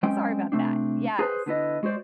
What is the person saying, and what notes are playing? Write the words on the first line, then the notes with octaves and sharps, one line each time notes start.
sorry about that, yes.
F#3 G#3 C4 C#4 G5
C3 A3 C4 D4
G#4 B4 C5
D3 B3 E4 D#5
G#3 F#4 G#4 C5 D5